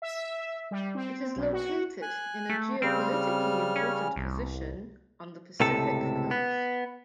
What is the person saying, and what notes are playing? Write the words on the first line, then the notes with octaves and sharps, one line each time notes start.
It is located in a geopolitically important position on the Pacific coast.
E5
G3
C4
B1
F#4
G#5 F#6
A3
C#3 G3 C4 F6
C#4
C2
C#2 A2 C3 A4
B3